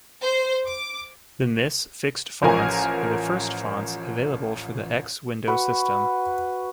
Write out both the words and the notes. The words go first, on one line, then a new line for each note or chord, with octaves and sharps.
The misc-fixed fonts were the first fonts available for the X Window System.
C5
D6
A1 F3 A#4 G#5
F#4 B4